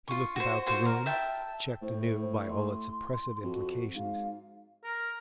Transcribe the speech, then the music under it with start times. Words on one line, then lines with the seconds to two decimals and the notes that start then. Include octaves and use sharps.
He looked about the room, checked anew by all its oppressive implications.
0.08 F4 C#6
0.36 F#4 C5
0.66 F4 F#4 C5
0.85 A#4
1.06 E5 G5 A5
1.82 A2 C5
2.49 C6
3.43 F2 F#4
3.95 G#2 F5
4.84 A#4